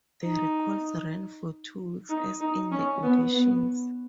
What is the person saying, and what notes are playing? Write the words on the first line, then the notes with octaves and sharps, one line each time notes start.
The recalls ran for two weeks as in the auditions.
D#4
D#4
D#4
C#4
B3
B3